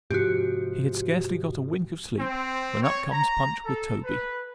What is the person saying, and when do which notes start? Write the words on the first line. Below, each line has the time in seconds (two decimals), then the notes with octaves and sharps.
He had scarcely got a wink of sleep, when up comes Punch with Toby.
0.10 G#2 C3 F3 F#4 G4
2.19 C4
2.82 C#5
3.12 A#5
3.65 A4
4.04 B4